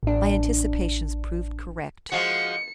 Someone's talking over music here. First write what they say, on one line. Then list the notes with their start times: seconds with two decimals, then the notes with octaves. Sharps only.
My anticipations proved correct.
0.03 A1 D4
2.12 F3 G#3 F#4 C#7